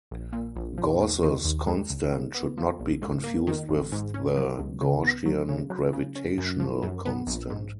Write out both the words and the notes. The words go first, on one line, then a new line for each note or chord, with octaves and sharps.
Gauss's constant should not be confused with the Gaussian gravitational constant.
A#1
A#2
A#1
F3
D#2
D#3
D#2
G#3
C#2
C#3
B3
F3
A#1
G#2
A#3
D#3
G#1
G#2
C#4
F#3
C#2
C#3
B3
F#3
C#3
F#3
C#3
C#4
F#2
F3
F#2
B3
A#1
G#2